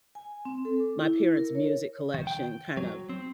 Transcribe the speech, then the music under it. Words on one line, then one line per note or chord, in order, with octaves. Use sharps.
my parents' music collection kinda
G#5
C4
A4
D6
E4
A#4
C#5
D#3
G5
F#3
C4